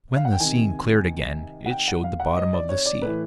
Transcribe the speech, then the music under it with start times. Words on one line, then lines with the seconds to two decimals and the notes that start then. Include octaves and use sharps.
When the scene cleared again, it showed the bottom of the sea.
0.17 F5
0.25 F#5
0.32 G5
0.40 C3 D#3 G#5
1.66 F#5
1.71 G5
1.88 F#5
2.04 F5
2.20 F#5
2.37 D#5
2.53 D5
2.69 C#5
2.86 D5
3.02 A2 E3 B4